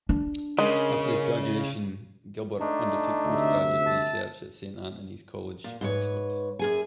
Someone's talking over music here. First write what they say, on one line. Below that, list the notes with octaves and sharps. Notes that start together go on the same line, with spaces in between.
After his graduation, Gilbert undertook postgraduate research at Saint Antony's College, Oxford.
D4
C#3 G#3 A#4
A3 D4 D#4
D2 C3 E5
A5
A#2
G#2 B4 C#5
F#2 G#4 G#5